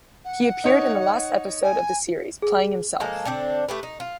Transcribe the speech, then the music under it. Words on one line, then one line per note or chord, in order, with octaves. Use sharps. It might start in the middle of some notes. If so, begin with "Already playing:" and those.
He appeared in the last episode of the series, playing himself.
F#5
D#4 C#5
G#5
G#4
F3 G#3 A#3 A4
D3 C4 D4 A4
A3 G4 B4
D#4
F4